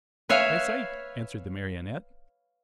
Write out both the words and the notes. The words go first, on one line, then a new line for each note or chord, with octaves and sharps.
"By sight!" answered the Marionette.
B4 C#5 E5 F5 G#5